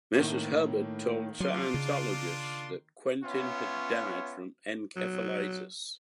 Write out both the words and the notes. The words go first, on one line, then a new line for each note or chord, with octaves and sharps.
Mrs. Hubbard told Scientologists that Quentin had died from encephalitis.
A2 D#3 A#3
F#3 D4 F4 C6 D6
C#3
B3 C#4 F4 C#5 E5
F#3